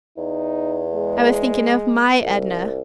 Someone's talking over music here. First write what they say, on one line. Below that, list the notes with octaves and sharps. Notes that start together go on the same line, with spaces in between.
I was thinking of MY Edna.
E2 D#4
G#3
C2